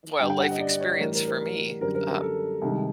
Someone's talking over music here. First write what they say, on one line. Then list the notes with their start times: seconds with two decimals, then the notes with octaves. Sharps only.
well, life experience for me. Um
0.20 G2 D3 G3 G5
0.30 G5
0.40 F#5
0.51 D#5
0.60 D5
0.70 D5
0.80 C#5
1.00 A2 E3 G3 A#4
1.14 A#4
1.27 A#4
1.81 F#2 D3 G3 A#4
1.95 A#4
2.08 A#4
2.21 A4
2.62 C2 C3 D#3 G#3